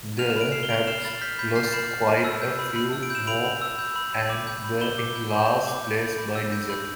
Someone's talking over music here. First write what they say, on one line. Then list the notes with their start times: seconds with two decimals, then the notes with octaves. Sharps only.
The Habs lost quite a few more and were in last place by December.
0.19 F6 F7
0.30 E7
0.36 B5 D7
0.52 F6 C7 E7
0.63 G7
0.70 B5 D7 F7
0.87 F6 C7 E7
1.05 B5 A6
1.21 F6 G6 B6
1.39 B5 G6 B6
1.55 F6 A6 C7
1.73 B5 C7 E7
1.90 F6
2.07 B5
2.24 E6
2.42 G6
2.59 B5
2.76 B5
2.93 E6
3.03 D7
3.10 G6 E7
3.27 B5 D7 F7
3.44 B5
3.62 E6
3.79 G6
3.96 B5
4.13 B5
4.30 D6
4.47 G6
4.64 B5
4.81 B5 E7 G7
4.98 D6
5.15 G6
5.33 B5
5.49 B5
5.67 D6
5.84 G6
6.01 B5
6.18 B5
6.35 E6
6.52 G6
6.70 B5